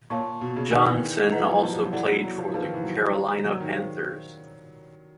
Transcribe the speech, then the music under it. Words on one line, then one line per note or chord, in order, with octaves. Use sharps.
Johnson also played for the Carolina Panthers.
A#2 C#5 F5 A5 C#6
B2
C#3
D#3 G#4 B4 D5 F5 G#5
E3
E3 B4 D#5 F#5 A#5
F#3
F3
F3
G3
F#3
E3 E4 A4 D5 F#5
F#3
F#3
F3
F3 D#4 G#4 B4
D#3
E3
F#3
G3
C5 F5 A#5
F#3
D#3
G#4 C5 F5